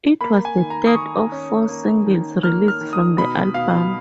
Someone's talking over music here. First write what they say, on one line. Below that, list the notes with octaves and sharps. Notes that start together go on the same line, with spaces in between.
It was the third of four singles released from the album.
A#3 B5
G#5
D#3
A#5
D#6
D#3 C#6
C#4
A#3
D#3
A#3 F6
F6
D#3
D#6
B2 B5
B2 F5